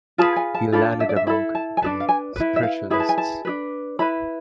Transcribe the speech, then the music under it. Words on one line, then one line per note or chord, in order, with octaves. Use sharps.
He landed among the spiritualists.
F4 G#4 B4 A5
G#5
A5
D4 F4 A4 B5
E5
D5
E5
E4 A4 B5
A5
G#5
D4 G#4 B4 A5
F5
G#5
E4 B4
E5
F5
E4 G#4 B4 B5
A5
G#5
A5
D4 G#4 B4
E4 B4 B5